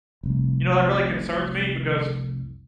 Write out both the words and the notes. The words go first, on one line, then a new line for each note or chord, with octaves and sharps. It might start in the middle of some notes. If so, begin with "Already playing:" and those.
you know, that really concerns me because
F1 C2